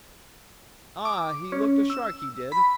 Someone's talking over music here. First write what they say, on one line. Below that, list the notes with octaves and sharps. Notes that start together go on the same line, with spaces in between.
Ah, he looked a shark, he did!
D6
C#4
E6
B5